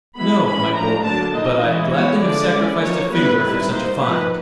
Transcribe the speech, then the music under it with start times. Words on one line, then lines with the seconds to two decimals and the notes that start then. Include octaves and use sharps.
"No, my boy, but I'd gladly have sacrificed a finger for such a find!"
0.15 G#3 B3 E4 B5
0.44 E3 G#3 C#4 E4 B5
0.74 F3 A3 D4 A#5
1.03 D3 F#3 A#3 D4 A5
1.33 F3 A#3 D#4 D#5
1.63 E3 G#3 C#4 E4
1.92 G#3 B3 E4 C#5
2.22 D3 F3 G#3 D5
2.52 G#3 C#4 E4
2.81 F3 A#3 D#4 C#5
3.11 G3 B3 E4 B4
3.40 D#3 G3 C4 E4 B4
3.70 G3 A#3 D#4 C5
4.00 F3 A#3 D#4 B4